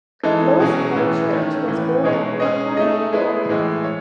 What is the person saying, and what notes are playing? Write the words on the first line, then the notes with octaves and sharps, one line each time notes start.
Louis K. Church was born in Brooklyn, New York.
E3 G#3 D#4 A4
B2 F#3 C#4 G#4
A2 E3 B3
D#3 A3 C#4
A2 E3 B3
B2 G#3 D#4 G#4 C#5
G#3 C#4 G#4 D#5
A3 D#4 G#4 D#5
G#3 B3 E4 G#4
A2 E3 G#3
C#5